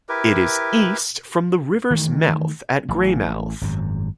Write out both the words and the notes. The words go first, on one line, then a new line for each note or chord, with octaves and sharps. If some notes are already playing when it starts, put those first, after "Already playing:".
It is east from the river's mouth at Greymouth.
E4 G4 A#4 B4
D#3 E3 G#3 A3
A1
G#1 F#2